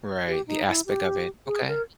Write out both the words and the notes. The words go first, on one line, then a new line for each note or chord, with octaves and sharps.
Right, the aspect of it. Okay.
G4
D#4
E4
G4
G#4
A#4